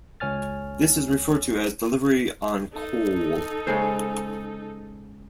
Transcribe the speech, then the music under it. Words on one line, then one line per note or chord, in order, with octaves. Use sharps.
This is referred to as "delivery en caul".
C#2 C#5 G#5 F6 A6
D#4 A4
C#3 G#3 C5